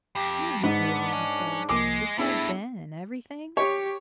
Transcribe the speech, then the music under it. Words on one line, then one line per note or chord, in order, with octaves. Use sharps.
"Will you, really?" he said, "just like Ben--and everything?"
F2 G4
G#2 B3 D4
C#4
C2 F3 G#3 A#3 D6
G2 A3 B3 D4 E4 G#4
G4 C#5